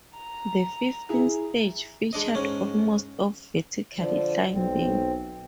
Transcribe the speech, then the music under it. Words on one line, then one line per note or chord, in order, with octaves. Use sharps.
The fifteenth stage featured almost of vertical climbing.
A#5
E4 G#4
G#3 D4 D#5
G#2 C#4
D3 F3
B1 C4